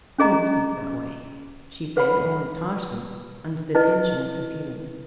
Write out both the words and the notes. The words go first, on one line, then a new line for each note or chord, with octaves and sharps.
"Don't speak that way," she said, almost harshly, under the tension of her feelings.
C#4 G#4 D#5 A#5
B4 F#5 B5
E4 B4 D#5